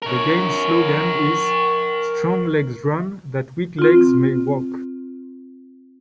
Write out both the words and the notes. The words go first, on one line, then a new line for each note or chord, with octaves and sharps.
The game's slogan is "Strong Legs Run That Weak Legs May Walk".
A#4 C#5
C4 F4